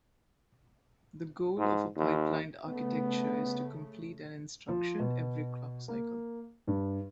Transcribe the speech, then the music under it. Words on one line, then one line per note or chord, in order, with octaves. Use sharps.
The goal of a pipelined architecture is to complete an instruction every clock cycle.
G#2
D#2
C#3 A3 B3
F3
B2
A#3
G2